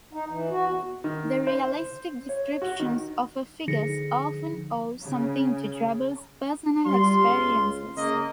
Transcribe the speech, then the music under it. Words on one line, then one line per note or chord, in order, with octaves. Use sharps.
The realistic descriptions of her figures often owe something to Drabble's personal experiences.
D#4
E3
F#4
E2
D#3
C5
C#5
F#4
D#3
D3 F3 D#4 G#4 A#6 C#7
C#3
G3 F4 C6
C#2
C#3 A#3 D#5